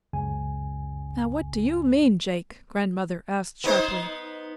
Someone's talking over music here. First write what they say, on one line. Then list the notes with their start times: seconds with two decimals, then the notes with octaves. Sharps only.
"Now what do you mean, Jake?" grandmother asked sharply.
0.13 C#2 F#2 C#3 G#5
3.64 B3 D#4 C5